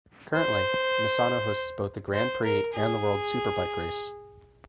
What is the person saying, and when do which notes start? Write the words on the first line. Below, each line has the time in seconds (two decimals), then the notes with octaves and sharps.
Currently, Misano hosts both the Grand Prix and the World Superbike Race.
0.35 C5
2.14 C5
2.44 A#4
2.73 G#4